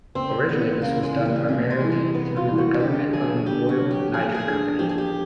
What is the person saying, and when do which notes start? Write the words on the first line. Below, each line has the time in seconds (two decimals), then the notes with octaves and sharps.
Originally this was done primarily through the government-owned Royal Niger Company.
0.15 C#2 C4
0.48 C#3 E3 B3
0.82 C#2 A#3
1.03 G#3
1.15 C#3 E3
1.25 G3
1.48 C3 G#3
1.70 G#3
1.81 E3 G3
1.92 G#3
2.14 C3 B3
2.36 F4
2.48 E3 G3
2.58 F#4
2.80 D3 G4
3.13 F#3 A3 G#4
3.46 D3 G4
3.69 F#4
3.80 F#3 A3
3.91 G4
4.13 F3 G#4
4.34 G#4
4.47 A3 D4
4.79 F3 G4
4.89 G#4
4.98 G4